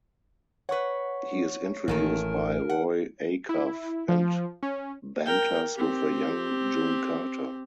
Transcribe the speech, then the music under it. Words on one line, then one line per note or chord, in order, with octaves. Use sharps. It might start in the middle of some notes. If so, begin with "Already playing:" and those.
He is introduced by Roy Acuff and banters with a young June Carter.
B4 C#5 F#5 C#6
A1 A#2 D#3 A4 A#4
F#5
E4
F3
C#4
A#4 G5
C4 G4